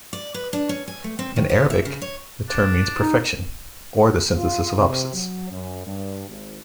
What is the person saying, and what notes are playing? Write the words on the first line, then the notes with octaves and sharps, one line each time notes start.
In Arabic, the term means "perfection", or the "synthesis of opposites".
D5
B4
D4
C#4
G#5
A3
C4
D#3
B3
E5
C#3
C#5
D4
D#4
F4
C3
F#3
F#2
G2
G#1